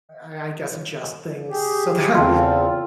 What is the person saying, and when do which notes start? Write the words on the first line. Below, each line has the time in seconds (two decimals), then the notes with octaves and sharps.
I I guess adjust things so that
1.50 G4 G#4
2.15 E2 C#3 C4 F4 A4